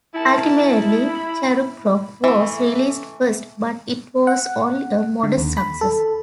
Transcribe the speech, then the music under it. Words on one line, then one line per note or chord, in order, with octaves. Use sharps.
Ultimately, "Cherub Rock" was released first, but it was only a modest success.
E4 A#4 A5
B5
E3 A3
F#5
D3
D#2
B5
A4